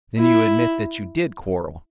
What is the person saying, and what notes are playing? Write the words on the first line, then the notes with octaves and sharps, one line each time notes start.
"Then you admit that you did quarrel?"
E4